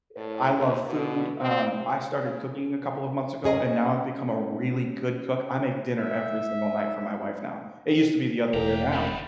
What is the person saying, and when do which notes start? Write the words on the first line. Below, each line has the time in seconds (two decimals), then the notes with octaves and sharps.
eh, I love food, um, I started cooking a couple of months ago, and now I've become a really good cook. I make dinner every single night for my wife now. It used to be the other way around.
0.17 A2
0.55 D#2
0.86 B2
1.40 C4
1.76 C3
2.11 C#3
3.44 C#4 G#4 D#5
6.00 E5
8.54 E1 B1 A#3 G4 A#5
8.93 D#3 G3 B5